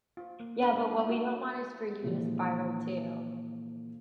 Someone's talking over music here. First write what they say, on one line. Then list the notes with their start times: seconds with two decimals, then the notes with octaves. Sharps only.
yeah, but what we don't want is for you to spiral too.
0.17 F4 C5
0.40 A#3
0.63 C#4 D4 A#4 D#5 F5 F#5
0.75 G#3 A4 A#4 D#5 F5 A5
0.89 G#3 A#3 F4
1.09 D#4 F4 F#4 E5
2.03 A#2 D3 E3 F3 G#3 A#3